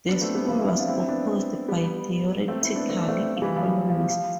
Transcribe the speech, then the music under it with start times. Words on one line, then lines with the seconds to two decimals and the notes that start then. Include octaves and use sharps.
The school was opposed by theoretical economists.
0.09 B3 D4
0.21 A3 C4
0.35 G3 B3
0.48 F3 A3
0.58 C4 E4
0.69 C4 E4
0.78 D4 F4
0.88 C4 E4
1.08 B3 D4
1.68 G3 B3
2.48 A3 C4
2.62 C4 E4
2.75 B3 D4
2.89 A3 C4
3.02 D4
3.08 A3 C4
3.36 F3
3.42 E3 G3
3.56 F3
3.89 F3
4.09 F3